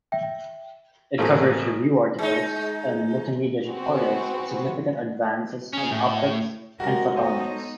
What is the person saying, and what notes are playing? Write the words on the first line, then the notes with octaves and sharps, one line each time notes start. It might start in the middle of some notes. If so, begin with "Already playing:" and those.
It covers review articles and multimedia tutorials on significant advances in optics and photonics.
E5 G5
A1 A3 A#3 C4 G#4
G#3 D#4
B3 C4 F#4 G#4 B4
C#4 G#4
A2
G#3 F#4 G4 A#4 A#6
B3 D#4 A4 C5 C#5